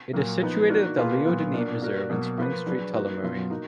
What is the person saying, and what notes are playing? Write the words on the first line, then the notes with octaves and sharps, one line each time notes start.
It is situated at the Leo Dineen Reserve in Spring Street Tullamarine.
A#2 F#3 A#3
F3 B3 D#4
D#3 A#3 D4 F#4 A#4
B2 A#3 F4 G#4 B4
A#2 F#3 B3 F4
B2 A#3 D4
A#3 D4 F#4 A#4
B2 F#3 A#3
F3 A#3 F4 B4
F#3 D4 G#4 B4
A#3 D#4 F#4 B4
B2 F#3 B3 F4
A#3 D#4 F#4 A#4